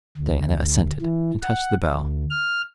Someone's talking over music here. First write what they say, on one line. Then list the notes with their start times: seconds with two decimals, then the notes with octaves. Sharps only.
Diana assented, and touched the bell.
0.18 D2
1.02 E3
1.42 F#5
1.94 D2
2.30 F6